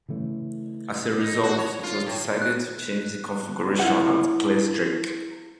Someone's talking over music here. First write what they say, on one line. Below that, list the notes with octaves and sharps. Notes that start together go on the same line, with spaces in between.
As a result, it was decided to change the configuration at "Gleisdreieck".
C#3 E3 A3 C#4
D#4
F#4
C#5
F4
A2
F#6
E4 F4 F#5